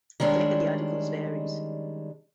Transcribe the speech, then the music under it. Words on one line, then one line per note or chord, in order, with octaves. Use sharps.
The length of the articles varies.
D#3 G3 G#3 C#4 D4